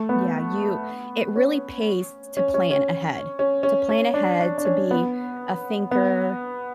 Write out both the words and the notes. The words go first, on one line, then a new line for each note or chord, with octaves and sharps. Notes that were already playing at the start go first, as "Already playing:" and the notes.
Yeah, you it really pays t t to plan ahead. To plan ahead, to be a thinker,
Already playing: A3
B3
C#4
C#4
C#4
C#4
C#4
C#4
C#4
D4
D4
D4
C#4
B3
B3